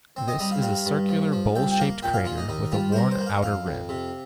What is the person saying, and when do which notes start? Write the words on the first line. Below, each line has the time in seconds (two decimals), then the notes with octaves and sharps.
This is a circular, bowl-shaped crater with a worn outer rim.
0.16 C4
0.28 D#5
0.39 G3 D#5
0.51 F5
0.62 G2 F5
0.86 G2
1.09 F3
1.32 F3
1.55 C2 G5
1.71 G5
1.80 A#3 F5
2.03 A#2 G5
2.14 F5
2.25 A#3 F4
2.38 D#4
2.49 D#2 D#4
2.72 G3 F4
2.92 C5
2.96 G2 A#4
3.11 C5
3.20 A#3
3.26 F5
3.43 F2 F5
3.66 F2
3.89 C3